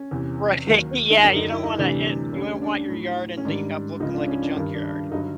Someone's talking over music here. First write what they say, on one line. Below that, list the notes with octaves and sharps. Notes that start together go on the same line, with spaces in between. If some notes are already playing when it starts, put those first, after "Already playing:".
Right, yeah, you don't wanna end you don't want your yard ending up looking like a junkyard.
Already playing: C#4
E2 C3 E3
D#2 D#3 F#3
D#4
F#2 D3 F#3 D4
D#4
E4
D#4
D2 C3 E3 G3 D4
D2 D3 G3 C#4
D4
A2 F#3
C#4
G#2 D#3 G3 D4
C#2 C#3 F3 D#4
D4
C#4
D4
G2 D#3 G3 D4
D4
D4
G2 D3 F#3 D#4